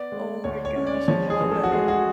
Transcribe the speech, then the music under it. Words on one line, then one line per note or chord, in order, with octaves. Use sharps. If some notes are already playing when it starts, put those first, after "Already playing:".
Oh my gosh, I love it.
Already playing: B3 D5
G#3
D2 C#5
C#5
C#4
D5
F3 C#5
G#4
A1
A4
F#4
G#3 G#4
F#4